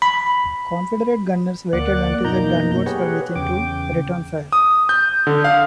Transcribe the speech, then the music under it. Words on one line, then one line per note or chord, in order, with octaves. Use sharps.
Confederate gunners waited until the gunboats were within to return fire.
B5
D2 A#3 D5 F#5 D6 F#6
F#2 B2 A#3 D#4 A#5 G6
G4 G#4 B4 C#5 F#5
E2 C#3 G5 D6
D#6
G6
D3
F5